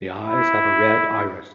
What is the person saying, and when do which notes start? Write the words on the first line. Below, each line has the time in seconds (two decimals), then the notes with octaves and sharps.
The eyes have a red iris.
0.24 E4